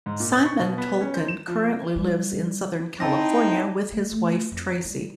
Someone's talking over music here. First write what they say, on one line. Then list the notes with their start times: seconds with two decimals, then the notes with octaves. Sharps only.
Simon Tolkien currently lives in southern California with his wife Tracy.
0.06 G#2
0.20 A#2
0.33 A6
0.46 C#6
0.60 B2
0.78 B3
1.01 C#4
1.14 C5
1.28 E7
1.48 F3
1.96 G3
3.00 C4 D#4 E4 G5 A5 A#6
3.92 A3
4.12 A3
4.52 F2
4.85 G3